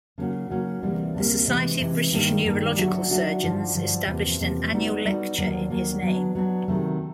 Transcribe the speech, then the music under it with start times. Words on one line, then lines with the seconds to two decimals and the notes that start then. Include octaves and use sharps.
The Society of British Neurological Surgeons established an annual lecture in his name.
0.18 C#3 F#3 A#3 C#4 F#4
0.50 C#3 F#3 A#3 C#4 F#4
0.83 D2 C3 E3 G3 A#3
1.15 D2 C3 E3 G3 A#3
1.47 C3 E3 G#3
1.80 C3 E3 G#3
2.12 G2 D#3 G3 A#3 D4
2.45 G2 D#3 G3 A#3 D4
2.77 D3 F#3 A3 D4 F#4
3.10 D3 F#3 A3 D4 F#4
3.43 G2 D3 F3
3.76 G2 D3 F3
4.08 E2 C3 F3 A#3
4.40 E2 C3 F3 A#3
4.73 G3 B3 D#4 F#4 A4
5.05 G3 B3 D#4 F#4 A4
5.38 D#2 D3 F#3 A#3
5.70 D#2 D3 F#3 A#3
6.02 F#3 B3 D4
6.35 F#3 B3 D4
6.68 C3 D#3 F#3 A3